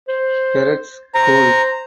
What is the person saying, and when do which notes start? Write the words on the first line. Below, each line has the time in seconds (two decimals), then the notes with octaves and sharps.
Peretz School.
0.08 C5
1.15 C5 A#5